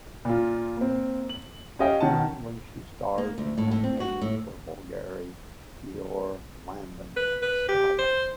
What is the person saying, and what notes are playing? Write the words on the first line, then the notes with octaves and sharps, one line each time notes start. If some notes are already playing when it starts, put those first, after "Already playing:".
Currently, she stars in campaigns for Bulgari, Dior, Lanvin and Escada.
A#2 F4
A#3 C4
F#7
C#4 G4 D#5 F5 G5
D#3 C#4 F#5 A5
A#3
D2
A2
A2
C4
F#4
A2
B4
B4
G4
C5